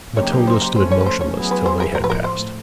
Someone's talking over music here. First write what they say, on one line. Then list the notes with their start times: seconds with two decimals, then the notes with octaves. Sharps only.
Matilda stood motionless till they had passed.
0.17 C#3 F#3 A#3 D#4 G4 C#5
0.32 B4
0.47 C5
0.62 C5
0.76 F3 A3 C#4 C5
0.91 C#5
1.01 B4
1.06 C5
1.21 C#5
1.36 F#3 B3 E4 G#4
1.51 B4
1.66 C5
1.80 A#4
1.95 A2 F3 A3 A#4
2.04 B4
2.10 A#4
2.24 C5